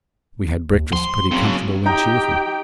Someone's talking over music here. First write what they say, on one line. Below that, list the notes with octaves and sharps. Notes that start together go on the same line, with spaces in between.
We had breakfast pretty comfortable and cheerful.
D#2
F3 C6
C#3 F#3 C4
D#4 G4 G5 A#5 G6